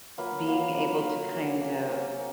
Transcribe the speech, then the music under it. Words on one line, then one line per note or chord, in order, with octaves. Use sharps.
being able to kind of,
F#3 A#3 F4 B4
F#3 A#3 F4 B4
F#3 A#3 F4 B4
F#3 A#3 F4 B4
A#3 C#4 F#4
A#3 C#4 F#4
A#3 C#4 F#4